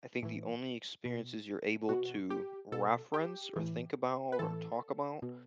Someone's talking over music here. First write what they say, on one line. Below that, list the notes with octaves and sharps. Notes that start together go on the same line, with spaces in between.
I think the only experiences you're able to reference or think about or talk about
A2 E3
B2
B2 F#4
G4
B2 A4
G4
A2 E3
B4
A2 E3 A4
B2